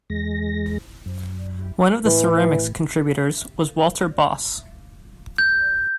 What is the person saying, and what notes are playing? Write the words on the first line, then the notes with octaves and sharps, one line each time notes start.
One of the ceramics contributors was Walter Bosse.
E2 G#3 A#6
F#2
A2 E3
G6